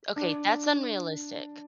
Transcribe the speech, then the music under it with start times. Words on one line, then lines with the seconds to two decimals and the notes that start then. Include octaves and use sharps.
Okay. That's unrealistic.
0.16 D4